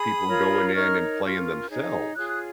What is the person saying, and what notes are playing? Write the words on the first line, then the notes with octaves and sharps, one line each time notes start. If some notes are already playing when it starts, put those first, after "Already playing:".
people going in and playing themselves,
Already playing: G#4 B5 D#6
F4 A#4 C#5
D#4 A#4 C#5 C#6 F6
C#4 F4 A#4
D#4 G#4 C#5
F4 G#4 C#5 D#6 F#6
F#6